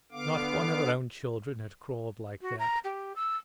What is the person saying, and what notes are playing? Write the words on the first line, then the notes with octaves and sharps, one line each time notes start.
Not one of her own children had crawled like that.
D3 B3 F5 D6
F#4
A#5
G4
E6